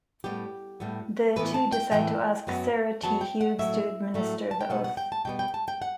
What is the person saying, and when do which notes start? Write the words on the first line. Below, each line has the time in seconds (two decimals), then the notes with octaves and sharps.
The two decide to ask Sarah T. Hughes to administer the oath.
0.24 A2 G3 B3 G4
0.80 A2 G3 B3
1.36 A2 E3 B3 B4
1.54 A5
1.72 G5
1.91 A2 E3 B3 G5
2.47 F#2 F#3 B3
3.02 F#2 F#3 B3 A5
3.21 G5
3.41 F#5
3.59 A2 F#3 A3 E5
4.14 A2 F#3 A3
4.51 A5
4.61 G5
4.70 B2 G3 B3 F#5
4.84 F#5
4.97 G5
5.12 A5
5.25 B2 G3 B3 G5
5.39 G5
5.54 A5
5.68 G5
5.82 F#5